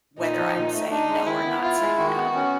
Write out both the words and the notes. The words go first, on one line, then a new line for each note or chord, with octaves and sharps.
whether I'm saying no or not saying no,
A#2 D#4
F3
A#2
A3
D4 D#4
G#3
D#3 E4
B3
E4 F4
G#3
D#3 F#4
B3
C#4